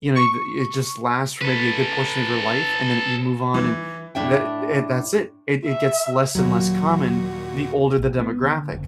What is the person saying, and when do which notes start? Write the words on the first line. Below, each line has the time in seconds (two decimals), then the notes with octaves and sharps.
you know, it uh, it just lasts for maybe a good portion of your life, and then you move on and that and that's it; it it gets less and less common the older the demographic.
0.15 C#6
1.41 A4 B4
3.54 E3
4.15 A2 D4 E5 G5
5.65 E5
6.35 D#2 A#2 F#3 F#4
7.98 A1
8.19 B3
8.43 D3
8.72 F#1